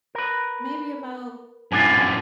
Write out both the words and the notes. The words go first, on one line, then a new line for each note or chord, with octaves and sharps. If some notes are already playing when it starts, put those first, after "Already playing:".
maybe about
A#4 B4
F#2 A2 B3 D4 F4 G#5